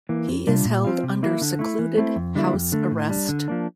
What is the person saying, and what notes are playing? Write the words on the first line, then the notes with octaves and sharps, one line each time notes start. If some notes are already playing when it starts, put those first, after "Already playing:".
He is held under secluded house arrest.
E3 A#3
F2
C3 G3 D4 F4
A#2
F3 C4 F4
C3
E3 A#3 E4
D3
A3 E4
E3
A3 C4 E4
F2
D3 G3 A#3 E4
F2
D3 A3
A2
G3 D4
D3
F3 A#3 D4